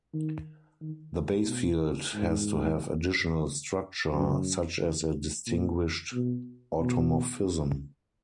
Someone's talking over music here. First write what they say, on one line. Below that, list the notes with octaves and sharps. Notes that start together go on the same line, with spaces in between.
The basefield has to have additional structure, such as a distinguished automorphism.
D#3
D#3
B2
G#2
F#2
A#2
B2
B2